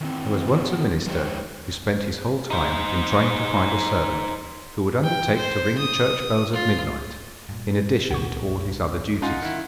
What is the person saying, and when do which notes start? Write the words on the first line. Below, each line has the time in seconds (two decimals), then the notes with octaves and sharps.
There was once a minister who spent his whole time in trying to find a servant who would undertake to ring the church bells at midnight, in addition to all his other duties.
0.01 D#3 E3 C4
0.48 D#3 B3 F4
1.07 F3 G#3 D#4 G4 C5 C#5
2.50 D#4 C5
5.03 G5
5.36 C5
5.78 D#6
6.53 F4
7.49 G2 A#2
8.11 C2 A#2 B3 F#5 C#6
9.22 C#4 D#4 F4 F#5 C6
9.42 D#3 E4